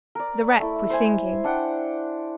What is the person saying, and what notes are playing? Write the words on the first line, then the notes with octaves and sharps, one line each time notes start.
The wreck was sinking.
A#4 D5
A3 E4
C5 G#5
D4 F#5 G5